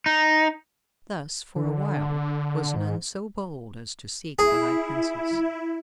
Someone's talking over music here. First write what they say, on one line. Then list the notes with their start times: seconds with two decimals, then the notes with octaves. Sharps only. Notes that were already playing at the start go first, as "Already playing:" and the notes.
Thus, for a while, was none so bold as to seek the high Princess.
0.06 D#4
1.56 D3
2.76 G#2
4.39 E4 G#4